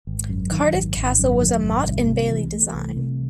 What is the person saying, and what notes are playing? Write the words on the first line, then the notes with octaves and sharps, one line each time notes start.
Cardiff Castle was a motte-and-bailey design.
G#1
F#2
D#3
G#1
G#1
F#2
D#3
G#1
C2
C3
E3
A3
C2
C3